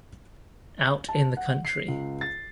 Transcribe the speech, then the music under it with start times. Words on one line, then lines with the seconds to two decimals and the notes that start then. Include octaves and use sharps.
Out in the country.
1.09 A5
1.37 F#5
1.65 C7
1.88 C#2
2.21 A6